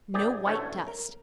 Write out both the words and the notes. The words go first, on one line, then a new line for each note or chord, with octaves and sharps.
No white dust.
A#1 G4 G#4 D5
A1 D2 A3 C#4 C#5
A#4